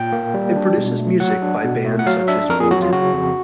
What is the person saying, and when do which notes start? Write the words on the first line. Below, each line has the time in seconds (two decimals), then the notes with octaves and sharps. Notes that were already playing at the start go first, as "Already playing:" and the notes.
It produces music by bands such as Boulder.
Already playing: A#2 G5
0.12 A#3
0.34 G3
0.56 D4
0.77 B2
0.99 A3
1.20 F#3 F#5
1.42 D4
1.64 B2
1.85 A3
1.99 F#5
2.06 F#3 F5
2.28 D4 E5
2.49 F2 A#4
2.60 G#4
2.71 F#3 F#4
2.82 F4
2.92 C#3 F#4
3.14 F2